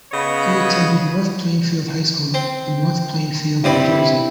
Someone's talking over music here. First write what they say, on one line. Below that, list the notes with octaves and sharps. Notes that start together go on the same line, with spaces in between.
He attended North Plainfield High School in North Plainfield, New Jersey.
C#3 B3 C#5 D#5 B5
C4
G2 C4 E4 D5